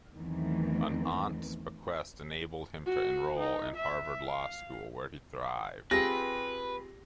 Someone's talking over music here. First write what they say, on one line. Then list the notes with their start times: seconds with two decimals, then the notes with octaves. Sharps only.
An aunt's bequest enabled him to enroll in Harvard Law School, where he thrived.
0.16 E2 D#3 E3 F#3 A3 C4
2.86 F#4
3.40 D#4
3.77 E5
4.25 F5
5.91 C4 F4 G4 G#4 B4 A#6